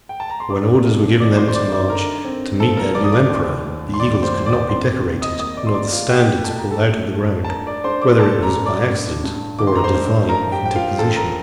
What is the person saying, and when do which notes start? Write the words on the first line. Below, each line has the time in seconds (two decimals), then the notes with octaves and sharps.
For when orders were given them to march, to meet their new emperor, the eagles could not be decorated, nor the standards pulled out of the ground, whether it was by accident, or a divine interposition.
0.09 G5
0.20 A5
0.30 A#5
0.40 C6
0.50 D4 D5 D6
0.85 F2
1.20 D#3 D5 D6
1.37 C5 C6
1.48 C6
1.55 D#3 D5 D6
1.72 D5 D6
1.90 D3 A#4 A#5
2.25 C4
2.60 F3 A4 A5
2.77 A#4 A#5
2.95 F3 D5 D6
3.04 D#6
3.12 D5 D6
3.29 D#2
3.65 D#2
3.94 C6
4.00 D#2 D5 D6
4.14 D6
4.23 C5 C6
4.34 D#2
4.46 D5 D6
4.69 C3 C5 C6
5.05 A#3
5.22 D#5 D#6
5.39 A#3 D#5 D#6
5.57 D5 D6
5.67 C6
5.74 A#3 D5 D6
5.92 F4 F5
6.09 A#2 G4 G5
6.44 A3 A5
6.58 A#5
6.71 A4 A5
6.79 A#2
7.14 A3
7.45 A5
7.49 D4 A#4 A#5
7.67 D5 D6
7.84 D4 C5 C6
8.02 D5 D6
8.19 A2 A4 A5
8.43 A#4 A#5
8.54 A2
8.66 D5 D6
8.89 G2
9.24 G2
9.59 D#3 D6
9.67 C6
9.75 A#5
9.84 C5 C6
9.94 G2
10.29 F3 A#4 A#5
10.52 G4 G5
10.64 F3 G5
10.76 F4 F5
10.99 A1 A4 A5
11.16 A#4 A#5